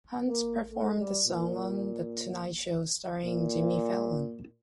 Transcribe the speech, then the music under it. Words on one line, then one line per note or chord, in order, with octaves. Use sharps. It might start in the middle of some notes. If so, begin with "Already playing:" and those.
Hunt performed the song on "The Tonight Show Starring Jimmy Fallon".
A#3
A3
G3
A#2
A#2